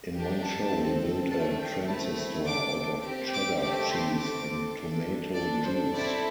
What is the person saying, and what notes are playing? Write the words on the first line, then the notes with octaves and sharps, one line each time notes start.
In one show he built a transistor out of cheddar cheese and tomato juice.
D4 G4
A5
C4 A4
A3 D4 A4 A5
G5
A3 C4 E4 A5
D4 A4 D6
C4 G4
D6
A3 C4 G4 D6
C6
C4 A4 D6
D4 A4
D4 A4 D5
C5
C4 E4 A4 D5